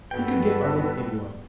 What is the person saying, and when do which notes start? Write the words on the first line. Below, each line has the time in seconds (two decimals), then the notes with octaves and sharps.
He could get on with anyone.
0.11 G2 B3 F#4 A4 B4 G5